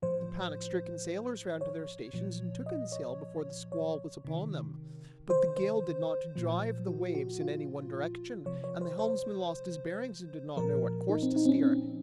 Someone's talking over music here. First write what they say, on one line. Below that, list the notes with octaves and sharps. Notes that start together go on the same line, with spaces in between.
The panic-stricken sailors ran to their stations and took in sail before the squall was upon them, but the gale did not drive the waves in any one direction and the helmsman lost his bearings and did not know what course to steer.
A2 F3 C5
C#5
A#2 F3
D#5
C#5
C#5
C3 D#3
C5
C5
A#2 F3
F#4
F#4
F4
C3 F3 C#5
C#5
C5
C5
A#2 F3 A#4
D#4
C4
D#4
C4
C#4
C4